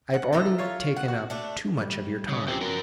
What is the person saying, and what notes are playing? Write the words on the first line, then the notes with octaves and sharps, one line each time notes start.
I have already taken up too much of your time.
F#5
D3 A4 E5 A#5
F4 C#5
F#5
F#4
A3 D4
G3 A3
C#3
C#3 F3 B3 C4 G4
F#4 A#4